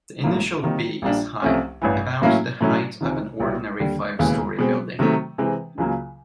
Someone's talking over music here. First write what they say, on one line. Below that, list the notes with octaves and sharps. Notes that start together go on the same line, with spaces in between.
The initial B is high, about the height of an ordinary five-story building.
A1 A2 F#3 A#3
C3 D#3 G3 A#3 D#4
A#1 A#2 G3 A#3 D4
C2 C3 F3 A3 C#4
A1 G2 E3
A2 F#3 A#3 C#4 E4
A2 F#3 A3 C#4 E4
C#2 C3 D#3
B1 B2 G3 B3 E4
D#2 D3 G3
E1 D#2 C#3 E3 G#3
B2 G#3 C4
C3 D#3 F#3 A3
C3 E3 G#3 C4
C#2 C#3 F#3 A#3